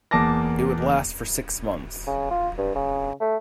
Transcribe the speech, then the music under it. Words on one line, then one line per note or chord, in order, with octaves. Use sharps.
It would last for six months.
E2 A#3 A5 D6 A#6
C#3
F4
G2
C#3
A3